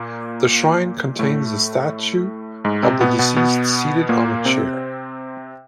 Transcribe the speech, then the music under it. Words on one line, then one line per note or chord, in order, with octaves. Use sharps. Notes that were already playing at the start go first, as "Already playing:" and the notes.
The shrine contains a statue of the deceased seated on a chair.
Already playing: A#2 A#3
A2 A3
G#2 G#3
C3 C4
B2 B3
B2 B3
B2 B3
A#2 A#3
C3 C4